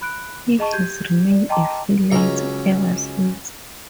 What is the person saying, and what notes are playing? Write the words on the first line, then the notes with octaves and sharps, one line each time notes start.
He has remained a freelance ever since.
B5 F#6 D7
G#4 D#5 A5 C#6
G4 G6 G#6 D#7
D5
D#5 G5 A5 A#5 C6 D6
C#2 F#3 C#4 A#5